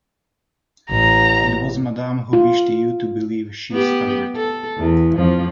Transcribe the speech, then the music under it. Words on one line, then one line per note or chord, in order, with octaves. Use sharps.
"It was madame who wished you to believe," she stammered.
A1 A#5
F4
B3 G4
A4
E2
F2 F3